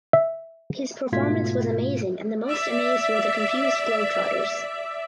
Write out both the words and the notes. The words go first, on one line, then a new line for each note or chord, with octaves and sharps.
His performance was amazing and the most amazed were the confused Globetrotters.
E5
G#2 B2 A3 F4 G#6 B6
D5 E5